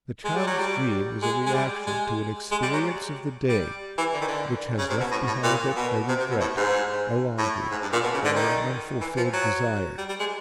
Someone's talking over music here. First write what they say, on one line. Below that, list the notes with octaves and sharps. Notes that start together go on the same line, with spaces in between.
The child's dream is a reaction to an experience of the day, which has left behind it a regret, a longing or an unfulfilled desire.
G#3
G3
F#3
G3
G#3
G#3
G3
G#3
G#3
G3
F#3
G3
E3
D3
D#3
D3
C#3
C3
B2
A2
A2
A#2
B2
C3
C3
B2
A2
G#2
A2
G#2
G2
A#2
B2
C#3
D3
D#3
E3
F3
F#3
G3
G3
G#3